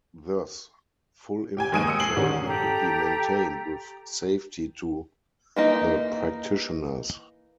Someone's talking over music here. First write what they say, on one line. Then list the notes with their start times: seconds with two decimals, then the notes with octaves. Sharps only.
Thus, full impact training could be maintained with safety to the practitioners.
1.57 G4 G5 G#5
1.72 D#2 G#3 G#5 D#6 D7 D#7
1.87 D#6 E6 C#7
2.00 C7 F#7
2.16 G#2 D#3 G3 C#4
2.46 G4 A4 G5 A#5
5.56 E3 A#3 D#4